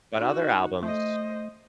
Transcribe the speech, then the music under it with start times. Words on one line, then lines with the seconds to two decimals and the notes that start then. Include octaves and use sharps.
But other albums,
0.18 D#4 F#4
0.83 A3 C5 D#5